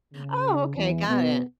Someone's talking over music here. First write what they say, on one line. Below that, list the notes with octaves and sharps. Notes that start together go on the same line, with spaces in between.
Oh, okay, got it.
C#3
E2 E3
B2 B3